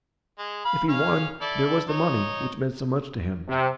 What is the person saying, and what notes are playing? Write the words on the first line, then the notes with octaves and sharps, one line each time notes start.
If he won, there was the money, which meant so much to him.
G#3
F5 B5
C#4 F5 F6
E4 A4 D5
D#4 C#5
C3